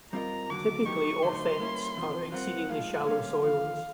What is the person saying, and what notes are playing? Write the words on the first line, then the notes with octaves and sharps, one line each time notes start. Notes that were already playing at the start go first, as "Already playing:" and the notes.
Typically, Orthents are exceedingly shallow soils.
G3 C4 F4 A#4 D#5 A#5
D#2 D3 F#3 D6
D3 F#3 B3 D#4 G4 C#6
D3 F#3 A3 C4 D#4 C6
G3 A#3 C#4 E4
E2 C3 F3
G3 C4 F4 A#4 F#5
A2 F3 G#3 F5
D3 G3 A#3 C#4 F5
D#2 D3 F3 F5